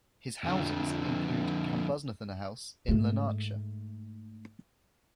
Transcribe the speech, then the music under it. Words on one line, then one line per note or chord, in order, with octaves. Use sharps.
His houses include Cambusnethan House in Lanarkshire.
F2 D3
G#2 A3